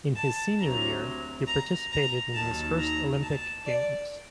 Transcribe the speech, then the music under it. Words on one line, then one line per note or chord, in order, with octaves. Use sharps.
In his senior year, he participated in his first Olympic Games.
A5
D2 C3 F#3 A#5
A#5
A#5
D#2 D#3 F#3 A5
A#5
A5
D5